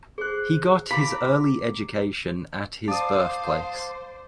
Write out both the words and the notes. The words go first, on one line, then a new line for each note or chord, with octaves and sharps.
He got his early education at his birthplace.
G#4 C5 F#6
E4 F5 A#5 B5 D6
C5 D5 F5 A5 D#6